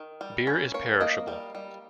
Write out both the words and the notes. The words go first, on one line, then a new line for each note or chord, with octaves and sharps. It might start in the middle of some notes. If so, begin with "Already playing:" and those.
Beer is perishable.
Already playing: D#3
G3
C#4
A#3 C#5
A#3 D#5
G3
G3